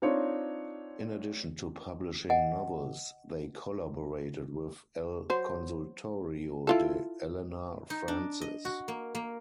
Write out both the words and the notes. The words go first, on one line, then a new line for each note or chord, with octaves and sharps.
In addition to publishing novels, they collaborated with El Consultorio de Elena Francis.
C4 D4 D#4 F4 C#5
D#5 F#5 G#5
F#3 C5
E4 F4 A4
D#4
D4
D#5
F#4
A#3
A#3